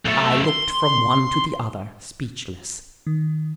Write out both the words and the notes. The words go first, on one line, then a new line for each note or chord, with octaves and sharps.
I looked from one to the other, speechless.
B1 A3
C6
D#3